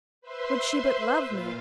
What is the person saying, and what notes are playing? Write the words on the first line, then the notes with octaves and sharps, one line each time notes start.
Would she but love me!
B4 C5 E5 C6
A#2 F4 F5